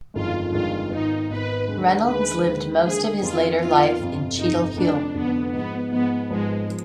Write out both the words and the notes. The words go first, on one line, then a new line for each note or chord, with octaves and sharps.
Reynolds lived most of his later life in Cheadle Hulme.
G1 F2 D#3 G#3 D4 F4
G1 F2 D#3 G#3 D4 F4
G#1 G#2 D#3 B3 D#4
G#1 G#2 D#3 B3 B4
D#2 D3 G#3
D#2 D3 G#3 B4
D#2 D3 G#3
D#2 D3 G#3 G#4
F2 D#3 B3 F4
F2 D#3 B3 F4
G1 F2 C3
G1 F2 C3 D#4
F1 F2 D3 D4
F1 F2 D3 B3
G#2 F3 G#3 B3
G#2 F3 G#3 B3
G#1 G#2 F3 G#3 B3
F3 B3